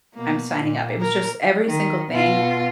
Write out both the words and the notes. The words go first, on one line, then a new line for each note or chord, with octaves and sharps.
I'm signing up." It was just every single thing
B2 A#3
A#2
A#4
D#3
B2 F4